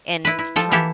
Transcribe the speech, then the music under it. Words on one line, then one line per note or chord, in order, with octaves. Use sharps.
and trying
E4 B4
E4
F3 A4 G5
E3 A#3 E4 G4 A4